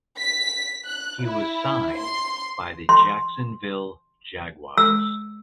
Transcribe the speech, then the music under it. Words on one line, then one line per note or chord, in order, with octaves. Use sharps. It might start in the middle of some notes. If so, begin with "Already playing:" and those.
He was signed by the Jacksonville Jaguars.
B6
F#6
E4
C6
C6
E6